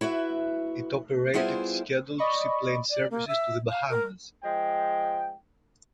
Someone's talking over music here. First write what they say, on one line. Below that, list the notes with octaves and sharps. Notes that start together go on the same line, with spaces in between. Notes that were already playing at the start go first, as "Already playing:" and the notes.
It operated scheduled seaplane services to the Bahamas.
E4 F#4 B4 E5
G3 B3 E4 F4 G#4 C5
D5 D#5 B5 C#6
D5
A#3
E5
F5
A#4
F3 G#3 G5